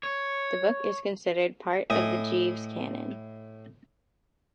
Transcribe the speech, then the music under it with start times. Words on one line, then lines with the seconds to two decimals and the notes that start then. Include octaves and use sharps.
The book is considered part of the Jeeves canon.
0.03 C#5
1.90 A2 D#5 G#5